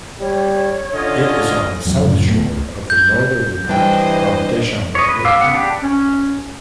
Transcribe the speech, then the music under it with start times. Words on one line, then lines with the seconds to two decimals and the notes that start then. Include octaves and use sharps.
It is on the south shore of the northerly part of Deschambault Lake.
0.20 G3 C#5
0.94 D3 C#4 F4 D#5
1.86 E1 F#3
2.01 F#1 F#2 A2 C#3
2.27 D2 G2 A3 B3
2.42 C#2
2.90 G6
3.69 E3 G3 D4 C5 D#5 G5
4.95 C#5 D#5
5.09 B4
5.25 F5 D6 E6
5.41 C#3 B3 F#5
5.54 D4 G4 B4
5.83 C#4